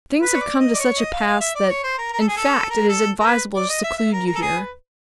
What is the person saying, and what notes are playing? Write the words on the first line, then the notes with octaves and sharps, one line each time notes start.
"Things have come to such a pass that, in fact, it is advisable to seclude you here."
B4
C#5
D5
D#5
D5
C#5
D#5
F5
F5
E5
D5
C#5
C5
A#4
A#4
A4
G#4
A4
A#4
A4
A#4
B4
D5
D#5
E5
E5
A#4
A#4
A4
G#4
B4